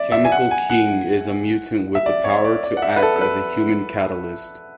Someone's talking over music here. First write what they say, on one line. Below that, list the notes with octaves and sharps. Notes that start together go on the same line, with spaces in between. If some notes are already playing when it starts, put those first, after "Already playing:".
Chemical King is a mutant with the power to act as a human catalyst.
Already playing: D5 E5
E5
G#5
F#5
G#5
F#5
E5
D5
C#5
D5
D5
F#5
E5
B4
A4
A4
B4